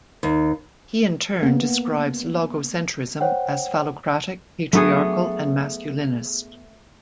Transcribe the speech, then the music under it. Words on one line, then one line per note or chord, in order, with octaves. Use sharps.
He in turn describes logocentrism as phallocratic, patriarchal and masculinist.
D#2
A#3 B3
C5 C#5 F#5 G5
F#3 A3 B3 D4 G#4